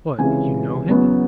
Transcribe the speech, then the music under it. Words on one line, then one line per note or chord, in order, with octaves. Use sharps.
"What--you know him?"
C#2 C3 E3 G#3 C#4 G#5
E2 C#3 F#3 B3